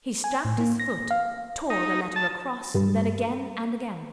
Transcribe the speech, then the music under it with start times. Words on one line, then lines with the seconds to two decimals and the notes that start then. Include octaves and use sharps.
He stamped his foot, tore the letter across, then again and again.
0.24 G#5
0.45 A2
0.58 A#3
0.80 A#6
1.11 F5
1.70 D#4
2.16 A5
2.74 G2